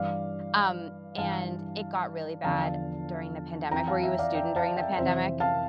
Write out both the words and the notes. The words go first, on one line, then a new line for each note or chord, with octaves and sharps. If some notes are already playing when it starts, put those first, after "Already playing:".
um, and, it got really bad during the pandemic. Were you a student during the pandemic?
Already playing: G2 E3 D5 F5
G2 E3 F5 A5
E2 D3 F3 F5 A5
F2 E3 G5 A#5
F5 A5
E5 G5
D5 F5
E5 G5
F5 A5
E5 G5
F2 C3 E3 C5 E5
F5 A5